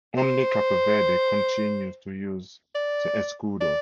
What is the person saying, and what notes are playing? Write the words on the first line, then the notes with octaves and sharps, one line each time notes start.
Only Cape Verde continues to use the escudo.
C5
D5
D5